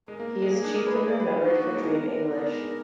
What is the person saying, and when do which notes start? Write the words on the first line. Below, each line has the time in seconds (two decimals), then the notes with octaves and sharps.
He is chiefly remembered for Dream English.
0.08 G#3 A#4
0.20 A#3
0.42 G#3
0.53 A#3 G#4
0.64 D4
0.75 A#4
0.87 B4
0.97 D#5
1.08 D5
1.20 B4
1.31 F4
1.41 D#4 F#4
1.52 D4
1.64 A#3
1.75 G#3
1.86 B3 A#4
2.08 D4
2.30 D#4 A#4
2.37 D4
2.41 B3
2.52 G#3
2.64 D4